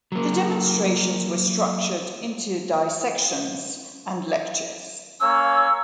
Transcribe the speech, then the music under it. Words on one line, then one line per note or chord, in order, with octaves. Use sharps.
The demonstrations were structured into dissections and lectures.
F#3 A#3
A#3 C#4 C#5 E6